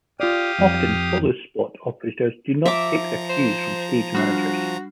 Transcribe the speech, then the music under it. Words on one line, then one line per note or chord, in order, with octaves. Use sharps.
Often followspot operators do not take their cues from stage managers.
F4 G4 D5 F5 D#6
F2
F3 E5 A#5 D6
C5
G3 D4 F#4